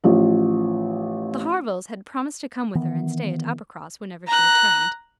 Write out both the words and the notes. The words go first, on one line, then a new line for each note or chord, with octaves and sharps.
The Harvilles had promised to come with her and stay at Uppercross, whenever she returned.
A1 F3
D#3 E3 B3
A#5 F#6